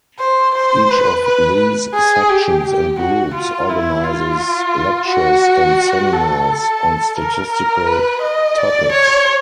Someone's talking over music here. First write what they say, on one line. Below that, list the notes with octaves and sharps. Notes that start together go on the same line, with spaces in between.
Each of these sections and groups organises lectures and seminars on statistical topics.
C5
C5
B4
B4
G#4
G4
G4
F#4
F4
E4
F4
F#4
A4
A#4
A#4
B4
D#5
D5
C#5